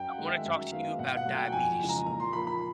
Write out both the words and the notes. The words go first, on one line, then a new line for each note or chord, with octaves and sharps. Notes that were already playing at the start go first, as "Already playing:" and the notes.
"I wanna talk to you about diabetes."
Already playing: F#2 G5
F#5
D#3 G#3
E5
F#2 E5
D#3 G#3 B3 F5
B2 F#5
F#5
F#3 A3
G5
G5
F2 G#5
C#3 E3 G#3
A#5
A#2 A#5
C6
F3 A#3 B5
B5